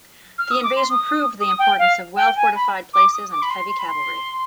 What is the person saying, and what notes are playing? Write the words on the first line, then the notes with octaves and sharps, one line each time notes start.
The invasion proved the importance of well-fortified places and heavy cavalry.
F6
D#6
D6
C6
D#6
D#6
G5
F5
G5
G#5
B5
D6
D#6
D6
B5
C6
C6
B5
C6